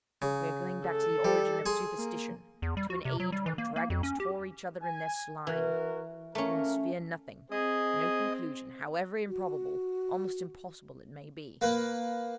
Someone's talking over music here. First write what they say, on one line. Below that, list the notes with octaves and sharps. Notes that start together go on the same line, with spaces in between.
We are going back to the origin of superstition--to an age when dragons tore each other in their slime. We must fear nothing--no conclusion, however improbable, almost impossible it may be.
C#3
A4
G3
G#4 C6
A#3
E2
G3
F#4
C3
F#3
G3
E3
A#3
A#3
F2
C#4
G4
G#5
E3 F#4 A#4
A3 A#3 C#4 A#4
C4 G#4 D#5
F#4
A#3 B4